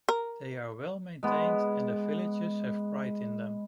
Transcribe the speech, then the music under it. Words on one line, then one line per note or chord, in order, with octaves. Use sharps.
They are well maintained and the villagers have pride in them.
A#4
G#3 B3